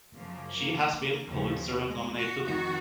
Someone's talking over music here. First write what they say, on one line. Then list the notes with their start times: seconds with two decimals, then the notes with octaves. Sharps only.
She has been Pulitzer-nominated.
0.15 F#2 C#3 F3 A#3
1.30 D#2 C#3 F3
1.87 G#3
2.16 F#4
2.44 F2 D#3 F#4